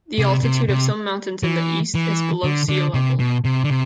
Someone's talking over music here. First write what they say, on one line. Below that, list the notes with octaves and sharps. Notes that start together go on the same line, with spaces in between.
The altitude of some mountains in the east is below sea level.
C3
C3
C3
E3
E3
D3
D3
C3
B2
C3
D3
C3